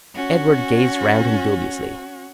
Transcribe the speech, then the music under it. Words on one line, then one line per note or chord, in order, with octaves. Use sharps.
Edward gazed around him dubiously.
C#4 F#4